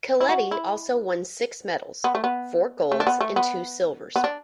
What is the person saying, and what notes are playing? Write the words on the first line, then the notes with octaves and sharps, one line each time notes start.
Keleti also won six medals: four golds and two silvers.
E4
F#4
E4
B3
A3
B3
A3
D4
B3
A3
B3
B3
D4